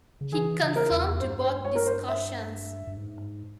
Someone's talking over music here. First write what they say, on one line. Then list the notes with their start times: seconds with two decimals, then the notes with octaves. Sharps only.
He confirmed both discussions.
0.21 C#3
0.32 E3 G#4
0.61 C#3
0.76 A#4
0.91 E2
1.20 G2 C5
1.42 C5
1.65 C#5
1.75 A#4
1.86 C5
2.08 E5
2.87 G2
2.97 G#2